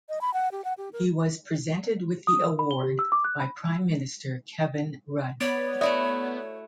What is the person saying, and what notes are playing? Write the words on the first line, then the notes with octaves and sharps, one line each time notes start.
He was presented with the award by Prime Minister Kevin Rudd.
D#5
B5
F#5
G4
F#5
G4
A#4
D#6
A#4
B5
G7
G4
E6
D6
F#6
B5
B3 C#5 D5 B5
A3 E4 F#4 D5 E5 D#6